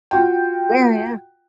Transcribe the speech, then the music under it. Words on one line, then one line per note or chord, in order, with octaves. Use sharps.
Yeah, yeah.
F4 F#4 G5